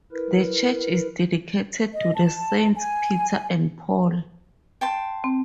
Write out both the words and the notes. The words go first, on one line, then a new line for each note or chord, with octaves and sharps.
The church is dedicated to the Saints Peter and Paul.
E4 A#4 B4
D#5
A5
G#5
G5 A5 C6
C4